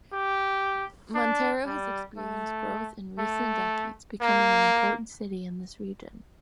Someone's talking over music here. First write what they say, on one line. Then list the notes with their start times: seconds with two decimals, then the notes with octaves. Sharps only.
Montero has experienced growth in recent decades, becoming an important city in this region.
0.13 G4
1.14 D4
1.66 G3
2.18 A3
3.19 A3
4.21 A#3